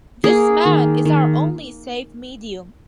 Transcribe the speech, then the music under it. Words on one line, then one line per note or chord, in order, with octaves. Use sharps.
This man is our only safe medium.
A#3 G#4
D#3
D#3